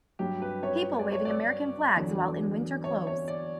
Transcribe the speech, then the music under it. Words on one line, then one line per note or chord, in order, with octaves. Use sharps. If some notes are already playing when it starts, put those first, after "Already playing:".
People waving American flags while in winter clothes.
G2 F#3 G4
B4
C#5
D5
C#5
D5
E2 D3 F#3
C#5
C#5
D5